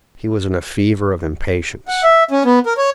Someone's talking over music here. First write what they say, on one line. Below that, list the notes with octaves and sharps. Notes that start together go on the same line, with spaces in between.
He was in a fever of impatience.
F#5
E5
C#4
B3
A#4
C#5